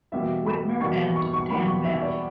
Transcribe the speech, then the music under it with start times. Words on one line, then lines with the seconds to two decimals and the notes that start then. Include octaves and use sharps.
Whitmer and Dan Maff.
0.12 E2 B2 G3 A#3 E5
0.46 B5
0.81 E2 B2 G3 A#3 C#6
1.16 C#6
1.33 C#6
1.50 E2 B2 G3 A#3 B5
1.67 C#6
1.85 E5
2.02 D5